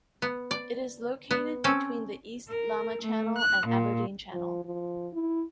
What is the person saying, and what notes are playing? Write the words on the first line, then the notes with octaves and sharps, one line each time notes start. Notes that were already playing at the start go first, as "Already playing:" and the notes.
It is located between the East Lamma Channel and Aberdeen Channel.
B3
D5
B3
C4 C#4 A4
A#4
A3
F#6
A#2
F3
F3
E4